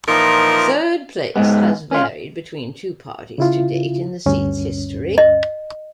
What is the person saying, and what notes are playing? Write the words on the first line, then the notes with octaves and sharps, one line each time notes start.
Third place has varied between two parties to date in the seat's history.
A#2 E3 F3 D#4 A#4
G#2 G#3 B3
C#4 F4
C#3 E4 F4
D2 G2 C#4
D#5